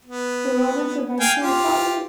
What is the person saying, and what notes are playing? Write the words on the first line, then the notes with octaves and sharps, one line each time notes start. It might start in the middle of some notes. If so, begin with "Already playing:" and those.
The Romans eventually followed.
B3
F5 G5 G#5
F4 G4